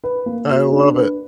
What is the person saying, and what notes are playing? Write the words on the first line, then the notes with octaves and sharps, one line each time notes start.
I love it.
B4
A#3
F#4
D4
B4